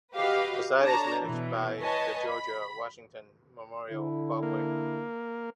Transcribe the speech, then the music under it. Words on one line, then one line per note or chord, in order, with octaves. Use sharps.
The site is managed by the George Washington Memorial Parkway.
F#4 G4 B4 D#5 F5
D4 A4 C#5 A5 A#5
B2 E3
B4 C#5 D#5 G#5 A5
B5
D3 E4
A#3